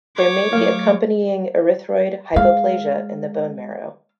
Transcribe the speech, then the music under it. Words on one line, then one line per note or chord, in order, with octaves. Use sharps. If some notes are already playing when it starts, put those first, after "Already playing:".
There may be accompanying erythroid hypoplasia in the bone marrow.
C#5 D6
F#3 A3 F5
G#3 F5